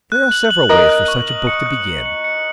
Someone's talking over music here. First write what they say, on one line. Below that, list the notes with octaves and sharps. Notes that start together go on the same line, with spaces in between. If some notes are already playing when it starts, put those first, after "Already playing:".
There are several ways for such a book to begin.
F#6
F#7
F#7
A#4 D#5 F#7
F#6
C#6
F#7
C#7
F#6
C#7
C#7
C#7